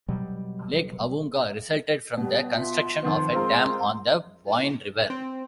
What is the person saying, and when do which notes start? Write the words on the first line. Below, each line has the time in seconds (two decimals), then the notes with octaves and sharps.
Lake Awoonga resulted from the construction of a dam on the Boyne River.
0.08 B2 F#3 G3
2.17 B2 G3
2.51 F4 E5
3.03 F2 D#3 F3 B3 C6
3.33 G#3 C4 F4 A#4
5.10 C4